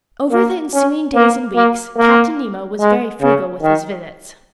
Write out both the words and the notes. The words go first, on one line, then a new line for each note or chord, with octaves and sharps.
Over the ensuing days and weeks, Captain Nemo was very frugal with his visits.
A#3
C#4
A#3
A#3
A#3
G#3
C#3
D#3